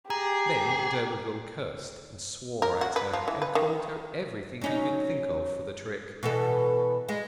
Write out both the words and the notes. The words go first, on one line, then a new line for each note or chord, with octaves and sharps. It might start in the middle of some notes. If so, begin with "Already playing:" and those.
Then d'Urberville cursed and swore at her, and called her everything he could think of for the trick.
G4 G#4 A#5
A#4
F#4
B4
F3
E3
B4
D#3
F#3 C#4 D#4
B2 E3 A4
G#3